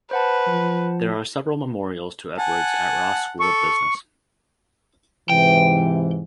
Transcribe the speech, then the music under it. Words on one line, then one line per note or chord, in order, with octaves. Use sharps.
There are several memorials to Edwards at Ross School of Business.
B4 C5 F#5 A5
F3
F#5 G#5 A5
A4 C#6
G#2 C3 E3 G5